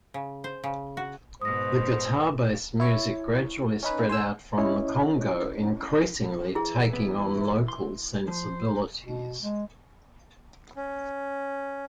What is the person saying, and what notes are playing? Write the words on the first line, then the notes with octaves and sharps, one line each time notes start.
The guitar-based music gradually spread out from the Congo, increasingly taking on local sensibilities.
C#3
C5
C#3
F#4
G#2 B2 C5 D#6 A#6
E4 C#5
C#4 D#4 B4
C5 G#5 E6
C#4 E4 C#5 D#5
E3 E4 G#4
B3
C6
F3 C5
B2
G#3
C#4